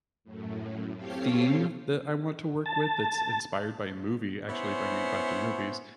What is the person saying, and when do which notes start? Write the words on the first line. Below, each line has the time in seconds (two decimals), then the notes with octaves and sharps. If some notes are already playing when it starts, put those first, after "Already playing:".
theme that I want to work with that's inspired by a movie actually bringing back to movies,
0.24 F#2 A2
0.96 C4 G4 A4 C#5 F5 C7
2.66 A5
4.49 B3 C#4 E4 C5 C#5